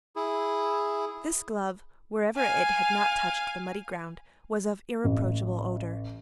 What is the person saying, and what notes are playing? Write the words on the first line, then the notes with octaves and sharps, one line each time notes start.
This glove, wherever it had not touched the muddy ground, was of irreproachable odor.
E4 G#4
F5 G#5
A1